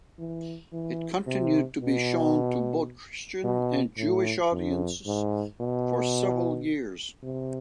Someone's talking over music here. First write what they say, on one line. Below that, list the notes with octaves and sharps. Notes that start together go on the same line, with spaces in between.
It continued to be shown to both Christian and Jewish audiences for several years.
E3
E3
C3
B2
B2
A2
F2
G#2
B2
C3